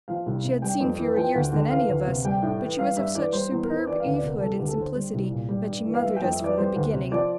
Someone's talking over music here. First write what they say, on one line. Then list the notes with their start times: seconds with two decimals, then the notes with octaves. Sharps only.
She had seen fewer years than any of us, but she was of such superb Evehood and simplicity that she mothered us from the beginning.
0.08 F3 F5
0.26 C2
0.44 C3
0.62 G3 G5
0.80 F2
0.98 E3
1.16 F3 G5
1.35 D2
1.52 D3
1.70 E3 F5
1.89 D2
2.06 C3
2.25 G3 G5
2.42 A2
2.61 E3
2.79 G3 F5
2.97 G2 E5
3.14 E3 D5
3.33 G3 C5
3.51 E2
3.64 A#4
3.69 E3
3.75 C5
3.87 E3 D5
4.00 F5
4.05 D2
4.14 D5
4.23 C3 A#4
4.41 G3 A4
4.54 G4
4.59 D2
4.68 A4
4.77 D3 C5
4.95 G3
5.14 C2
5.31 A#2
5.49 G3
5.67 G2
5.85 E3
5.94 F5
6.03 G3 E5
6.16 G5
6.21 F2
6.30 E5
6.40 E3 D5
6.57 G3 C5
6.76 D2
6.93 C3
7.11 F3 D5